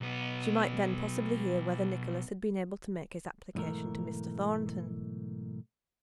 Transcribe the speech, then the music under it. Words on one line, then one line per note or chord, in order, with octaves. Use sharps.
She might then possibly hear whether Nicholas had been able to make his application to Mr. Thornton.
B1 B3
B1 G#2 E3 A3 A#4